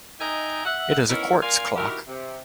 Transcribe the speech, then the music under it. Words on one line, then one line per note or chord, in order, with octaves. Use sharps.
It is a quartz clock.
D#4 D#5 E5 G5 G#5 A#5
E5 F#5
B3 C#4 D#4 E4 A#4
A#2 A#4 D5 F5 G#5 C6
D#3 E4 F#4 G4 A#4
C3